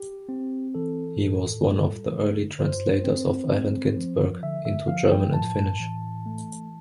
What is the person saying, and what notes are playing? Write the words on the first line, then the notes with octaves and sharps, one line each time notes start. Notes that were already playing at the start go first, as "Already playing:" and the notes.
He was one of the early translators of Allen Ginsberg into German and Finnish.
Already playing: G4
C4
E3 A4
A2
G3
D3
G2 C5
C4
C4
F3
D3 E5
E5
F3 F5
G5
A2 A5
E3
A3